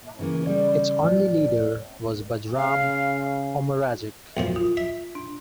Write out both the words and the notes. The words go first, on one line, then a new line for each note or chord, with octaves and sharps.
Its only leader was Bajram Omeragić.
C#3 E3 A#3
C#3 G3 D5
A2 F3
C#3 F5
B1 F#2 F3
F4
E5
D4